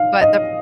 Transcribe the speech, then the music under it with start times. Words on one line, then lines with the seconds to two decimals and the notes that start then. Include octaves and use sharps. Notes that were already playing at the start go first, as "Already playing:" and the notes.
but the
Already playing: F5
0.21 D#5